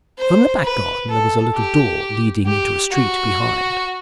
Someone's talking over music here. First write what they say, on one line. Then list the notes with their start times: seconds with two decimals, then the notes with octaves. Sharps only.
From the back garden there was a little door leading into a street behind.
0.18 C5
0.64 B4
1.09 A4
1.55 G4
2.46 G4
2.91 F#4